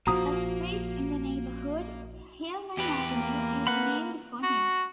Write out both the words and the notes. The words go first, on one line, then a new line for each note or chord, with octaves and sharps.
A street in the neighborhood, Hillman Avenue, is named for him.
A#1 F3 A#3 F#4 A#5 D#6
E2 G4 B4
A#3
B4 F#5 B5
F#4